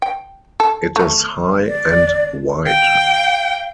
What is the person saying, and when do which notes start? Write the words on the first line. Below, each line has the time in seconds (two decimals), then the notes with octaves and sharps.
It is high, and wide.
0.02 G5
0.60 A4
0.96 A3
1.67 D5
2.66 F5 G5